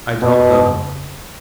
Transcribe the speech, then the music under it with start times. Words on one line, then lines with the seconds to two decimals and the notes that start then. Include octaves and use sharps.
I don't know.
0.22 F2 B2
0.43 F2
0.64 C#3